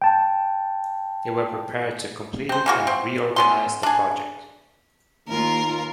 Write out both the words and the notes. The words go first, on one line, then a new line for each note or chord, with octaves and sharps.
They were prepared to complete it and reorganized the project.
G5 A5
C4 C5
E3 A#3 F#4
C4
B3 C#4 C6
D4 G#4
D#2 F4 A#4